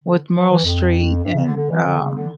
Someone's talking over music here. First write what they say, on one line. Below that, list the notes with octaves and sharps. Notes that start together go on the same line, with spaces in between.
with Meryl Streep and um
D3
F3
E3
F2
G2
C#3
D3
D3
E3
D3
C#3
D3